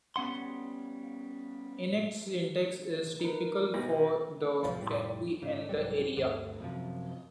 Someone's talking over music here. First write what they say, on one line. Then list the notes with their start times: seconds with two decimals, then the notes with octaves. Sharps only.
Enets syntax is typical for the family and the area.
0.16 G3 B3 C#4 F#5 C6
3.20 D#4 A#4 B4
3.74 B1
4.62 D1 C2 F#2 F3
4.81 F1 A#1 A2 G3
5.42 G#2 C#3
5.69 C2 G#2 F#3 G3
6.17 D2 G2 D3
6.60 F#2 C3 F3